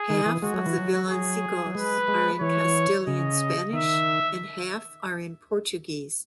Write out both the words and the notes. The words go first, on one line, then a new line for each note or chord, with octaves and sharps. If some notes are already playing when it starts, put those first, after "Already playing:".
Half of the villancicos are in Castilian Spanish, and half are in Portuguese.
Already playing: G#4
D#3
E3
G#3 F#4
F#3
E3
F#3
G#4
F#3
G#3 B4
G#3
E3 C#5
C#3 D#5
D#3 E5